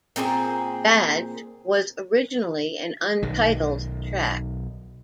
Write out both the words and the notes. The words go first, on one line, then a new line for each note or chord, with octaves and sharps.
"Badge" was originally an untitled track.
A#2 C4 G#4 C5
B1 D#3